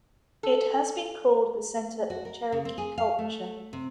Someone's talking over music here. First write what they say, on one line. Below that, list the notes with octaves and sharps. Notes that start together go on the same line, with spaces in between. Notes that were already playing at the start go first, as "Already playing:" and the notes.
It has been called the center of Cherokee culture.
A4
F#4
A#4
C#3
C4
G#4
F5
A3
C3